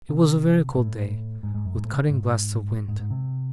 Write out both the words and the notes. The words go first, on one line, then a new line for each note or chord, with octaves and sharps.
It was a very cold day, with cutting blasts of wind.
C3
A2
G#2
G#2
F#2
G#2
A2
C#3
G#2
G#2
G#2
C3